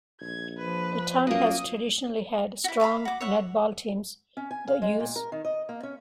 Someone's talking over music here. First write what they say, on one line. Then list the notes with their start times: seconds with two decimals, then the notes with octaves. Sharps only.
The town has traditionally had strong Netball teams - The Ewes.
0.21 A#1 G#6
0.58 F3 B4
1.27 F#2 A#2 A#3 D#6
2.64 E4 F#4
2.80 D5 E5 F5 B5
3.05 F#4 D6
3.20 C#5 E5 F#5
4.37 C#4
4.51 G#5
4.68 F5
4.82 G#3
5.00 A#2
5.16 A#4
5.32 D#3
5.45 D#5
5.69 A#3
5.83 C#4